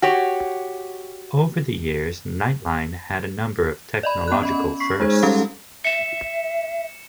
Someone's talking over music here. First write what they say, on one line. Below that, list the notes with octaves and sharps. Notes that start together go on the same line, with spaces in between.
Over the years, "Nightline" had a number of technological firsts.
F#4 G4 C#5
D5 D#5 B5
B3 F#6
C#4 D#5 B5
C#6 B6 C7
G#3 D#4 G#4 C5 G#6
G3 G#3 C#4 G4 A4 F5
E5 C#7 E7